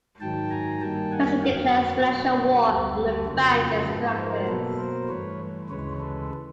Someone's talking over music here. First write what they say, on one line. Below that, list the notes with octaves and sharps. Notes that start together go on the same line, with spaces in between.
Benson declares "financial war" on the bank and its directors.
G#2 D#3 F#3 G5 A5
G#5 A#5
G2 D#3 G3 A#3 G5 A5
F#5 G#5
F2 D3 F#3 A#3 F5 G5
B4 C#5
B2 F#3 A3
C5 D5
D2 D3 G3 G4 A4
G4 A4
F2 C#3 F#3 A#3 F#4
F4
G#2 F3 G#3 A4 B4
A#4 C5
B2 F#3 A#3 A4 B4
A#4 C5
G2 E3 A3 B4 C#5
D2 C#3 E3 G#3 B4 C#5
A4 B4